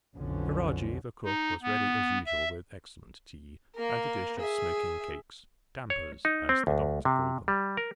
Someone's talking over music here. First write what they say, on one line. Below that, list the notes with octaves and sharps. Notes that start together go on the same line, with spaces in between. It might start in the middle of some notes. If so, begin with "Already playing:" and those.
Ferajji, the cook, was ready as usual with excellent tea, and a dish of smoking cakes; "dampers," as the Doctor called them.
B1 F2 B2 D3 F3 C#4
D#4
B3
E5
A#3 A#4
G#4 E5
C#5
D#4
C4
D2
C3
G3
A#4